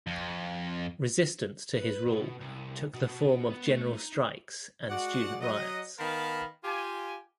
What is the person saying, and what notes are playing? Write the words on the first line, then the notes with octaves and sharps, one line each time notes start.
Resistance to his rule took the form of general strikes and student riots.
F2
B4
B2
C2
B2
B3
A3
D#4
G#3 F#4 D5 F#5
F#3 D#5
D#3 B3 A#4 F5 A5 B5
F4 G4 G#5